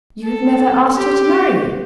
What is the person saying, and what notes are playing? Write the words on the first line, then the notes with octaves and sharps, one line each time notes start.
"You have never asked her to marry you?"
A4
G4